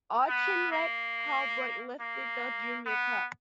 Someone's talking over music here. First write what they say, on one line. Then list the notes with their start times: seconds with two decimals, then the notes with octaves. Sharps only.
Auchinleck Talbot lifted the Junior Cup.
0.28 B3
0.71 A#3
2.00 A#3
2.86 B3